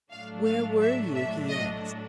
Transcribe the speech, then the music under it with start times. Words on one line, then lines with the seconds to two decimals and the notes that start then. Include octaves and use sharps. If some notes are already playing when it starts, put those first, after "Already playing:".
"Where were you?" he asked.
0.11 A2 F#3 A3 D4 F5
0.46 F5
0.81 E5
1.15 E5
1.49 D#5